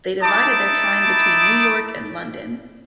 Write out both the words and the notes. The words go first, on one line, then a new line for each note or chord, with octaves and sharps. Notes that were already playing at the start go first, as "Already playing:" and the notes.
They divided their time between New York and London.
D#4 E4 A5 D6